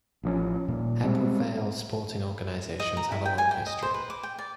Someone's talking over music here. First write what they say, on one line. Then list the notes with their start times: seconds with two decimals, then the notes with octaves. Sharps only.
Ebbw Vale sporting organisations have a long history.
0.23 A1 F3 A3 C#4
0.68 D#1 A#2
1.04 G3 G#3 C4
2.80 D#5
2.97 A#5
3.12 E4
3.25 G5
3.38 G#5
3.51 G5
3.66 D#5
3.82 C5
3.94 B4
4.10 D6
4.23 G5
4.38 D5